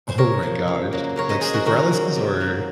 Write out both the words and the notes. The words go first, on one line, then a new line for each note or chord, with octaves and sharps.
Oh my gosh. Like sleep paralysis, or
C5
C3 A#4 C#5
F3 A#3
C#3
F#3 A#3
C#3 A#4 C#5
C5 D#5
G#3 G#4 C5
F#4 A#4
D#3 F#4 A#4
F#3 A#3
C3
F#3 A#3